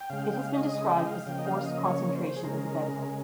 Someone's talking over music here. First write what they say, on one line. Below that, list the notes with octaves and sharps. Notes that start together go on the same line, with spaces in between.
It has been described as the "forced concentration of the Bedouin".
G5
C#3 G#3 F5
G5
F5
D#5
D#5
G5
D#5
F5
C#3 F3 A#3 G5
D#5
F5
D#5
C#5
C5
G#4
C#3 G#3 A#4
A#4